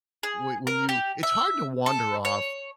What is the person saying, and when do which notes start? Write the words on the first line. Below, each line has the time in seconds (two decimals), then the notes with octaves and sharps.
whe when you it's hard to wander off
0.23 G#4
0.67 A#4
0.89 G4
1.23 E5
1.86 A4
2.25 C#5